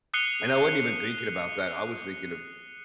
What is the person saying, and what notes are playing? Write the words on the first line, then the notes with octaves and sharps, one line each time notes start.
and I wasn't even thinking about that. I was thinking of
D#6 F#6 C7 C#7 D#7 G7